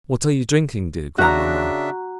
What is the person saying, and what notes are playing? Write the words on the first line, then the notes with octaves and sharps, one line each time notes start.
"What are you drinking, dear grandmamma?"
C#3 D4 F#4 E5 A#5